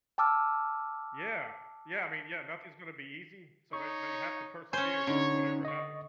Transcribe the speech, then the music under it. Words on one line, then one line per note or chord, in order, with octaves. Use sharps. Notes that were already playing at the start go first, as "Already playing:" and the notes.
Yeah. Yeah, I mean, yeah, nothing's gonna be easy, so they they have to persevere through whatever happens.
G5 A5 D6 E6 F6
D#4 C#5 C#6
C#4 C5 C#5 G#5
D3 C#4 D#4
D#5 C#6